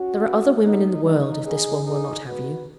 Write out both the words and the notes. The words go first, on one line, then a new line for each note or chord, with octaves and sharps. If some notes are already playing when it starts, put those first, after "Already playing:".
'There are other women in the world, if this one will not have you.'
Already playing: C#4 F#4
C#3 G#3 B3
D#3 B3 D#4
C#3 B3 D#4
D#3 B3 D#4 G#4
B2 B3 D#4 G#4
C#3 G#3 B3 F#4 B4